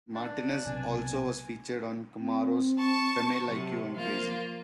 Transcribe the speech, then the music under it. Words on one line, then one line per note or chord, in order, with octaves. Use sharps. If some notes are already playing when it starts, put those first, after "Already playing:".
Martinez also was featured on Kmaro's "Femme Like You" and "Crazy".
D4
B1 C3 B3 G#5
C4
A5 C#6
C3 F#3
F3 A#3 F4